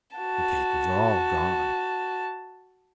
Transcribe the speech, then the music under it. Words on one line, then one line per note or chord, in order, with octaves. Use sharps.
The cake was all gone!
F#4 A5